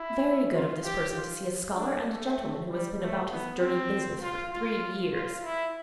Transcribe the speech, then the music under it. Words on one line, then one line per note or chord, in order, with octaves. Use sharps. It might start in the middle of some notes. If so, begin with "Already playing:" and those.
Very good of this person to see a scholar and a gentleman who has been about his dirty business for three years.
Already playing: E4
F4
G4
F4
D4
A3
G3
A3
B3
C4
F4
F4
F4
E4